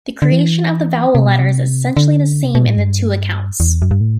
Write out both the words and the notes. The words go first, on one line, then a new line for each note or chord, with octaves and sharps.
The creation of the vowel letters is essentially the same in the two accounts.
D3
E3
C3
B2
C3
D3
C3
B2
A2
G2
E2
F#2
G2
A2